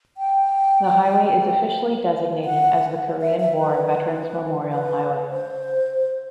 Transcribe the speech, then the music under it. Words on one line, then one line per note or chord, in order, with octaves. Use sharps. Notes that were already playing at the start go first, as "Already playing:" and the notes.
The highway is officially designated as the Korean War Veterans' Memorial Highway.
G5
F#5
E5
E5
B4
B4
C5